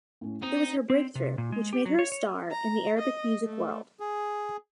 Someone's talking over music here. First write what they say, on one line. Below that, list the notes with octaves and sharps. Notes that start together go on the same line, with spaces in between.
It was her breakthrough, which made her a star in the Arabic-music world.
A2 C#4
C4 D#4
C4
C3
A#2
G#3
G4
F#3
C#5
C#5
A#5
D#5
A3
G#4